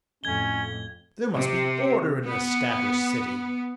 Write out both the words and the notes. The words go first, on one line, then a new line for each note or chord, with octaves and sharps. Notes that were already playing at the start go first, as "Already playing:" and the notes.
There must be order in an established city.
F2 A2 C#4 G#6 G7
C3
B3